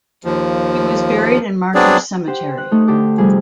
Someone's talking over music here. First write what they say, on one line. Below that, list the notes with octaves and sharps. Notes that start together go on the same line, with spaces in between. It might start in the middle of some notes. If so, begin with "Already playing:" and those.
He was buried in Martyrs Cemetery.
D#2 F3
F#3 B3 C4 D4 G#4 D5
G4 C5 F#5 G5
F#6
A3 D#4
D3 G4 C5 A5 D6
F2 C3 G3 G#4